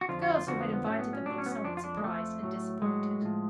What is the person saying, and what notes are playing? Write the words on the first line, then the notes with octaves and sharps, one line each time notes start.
The girls who had invited them looked somewhat surprised and disappointed.
F#4
F2 D3 F3 F4
F#4
F4
F2 D3 F3 F#4
B3
B3
A2 F#3 C#4
B3
C#4
A2 F#3 D4
C#4
B3
C#4
F2 F3 D4
F4
D4
G#3
F2 F3 A3
A2 F#3
A2 F#3 G#3
A2 F3